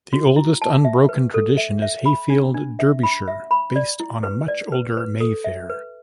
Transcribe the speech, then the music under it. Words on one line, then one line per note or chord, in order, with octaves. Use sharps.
The oldest unbroken tradition is Hayfield, Derbyshire based on a much older May Fair.
F#4
E4
A5
E5
B4
A4
E5
E5
B5
D4
D4
E5
B5
E5
B5
D5
E4
B4
D5
B4
B4
A4
E5
B4